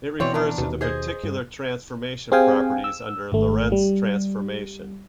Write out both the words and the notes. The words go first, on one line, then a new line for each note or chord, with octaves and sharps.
It refers to the particular transformation properties under Lorentz transformation.
B2 E3 C4 C#5 D5
E2 D4 A#5
D#2 B2
G#4 C5 D#5
G2
C4 G4 G#4 F5 G5 G#5
E6
G#1 A3
G3